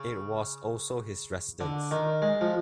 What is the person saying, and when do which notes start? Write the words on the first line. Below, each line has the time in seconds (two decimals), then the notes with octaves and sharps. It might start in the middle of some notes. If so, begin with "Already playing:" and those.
It was also his residence.
Already playing: C#3
1.61 D3
1.91 D#3
2.22 G#3
2.41 F3